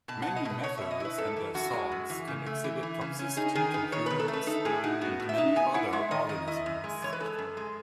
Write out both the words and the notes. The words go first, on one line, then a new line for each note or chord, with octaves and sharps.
Many metals and their salts can exhibit toxicity to humans and many other organisms.
B2 A5
B2 F#5
D#5
B2 B4
B2 C#5
B2 E5
D#5
E4 B4
F#2 A4
E3
F#2 F#4
G#3
F#2
E3
C#3
A3
E3
E3
C#3
C#4
D#4 G#4
D#3 G#4
D#4 B4
D#3 C#5
D#3 B4
A4
A3
B4
D#4 A4
A2 G#4
D#4 F#4
B3 F#4
A2
E5
D#4
B3 G#5
E4 F#5
G#3 E5
D#3 D#5
D#3 D#5
E4 D#5
F#2
G#3
E3 C#5
B4
G#3 A4
F#2
G#3